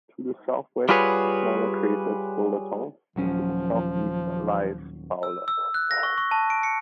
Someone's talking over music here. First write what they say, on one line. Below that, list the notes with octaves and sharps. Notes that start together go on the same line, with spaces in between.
To the southwest is the smaller crater Stoletov, and to the southeast lies Fowler.
G3 F4 F#4 G#4 B4 C#5
D#1 F3 F#3 C#4
E6
E6
F#6
A#6
C#6
C#6
A5
D7
C#7